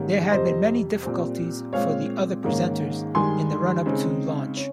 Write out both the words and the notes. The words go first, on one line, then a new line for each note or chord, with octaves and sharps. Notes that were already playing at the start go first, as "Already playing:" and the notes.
There had been many difficulties for the other presenters in the run-up to launch.
Already playing: G#2 D#3 G3 A#3 C#4
F2 C3 G3 C5 D#5
A#2 G3 C4
A#2 G#3 C4 C#5 F5
G#2 D#3 A#3 C#4
G2 D#3 G#3 G#5 C6
C#3 G#3 C4 D#4
C#4